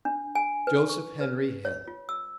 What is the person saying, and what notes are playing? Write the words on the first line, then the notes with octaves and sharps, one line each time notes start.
Joseph Henry Hill.
D4
G#5
B4
C#6
B4
C#5
F4
E6